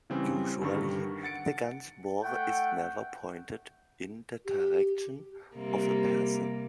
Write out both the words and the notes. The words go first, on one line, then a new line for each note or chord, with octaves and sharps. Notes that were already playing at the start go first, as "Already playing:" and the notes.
Usually the gun's bore is never pointed in the direction of a person.
C#3 E3 G3 C4 C#4
G2 D3 D#3 G3 C#6
F#5 A6 C#7 D7
A3 F#5 G5
G4
C3 G3 A#3